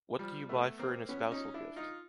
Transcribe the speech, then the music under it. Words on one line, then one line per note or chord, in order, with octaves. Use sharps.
What do you buy for an espousal gift?
F3 G3
A3 B3
A#3 C4
B3 C#4
C#4 D#4
D4 E4
D#4 F4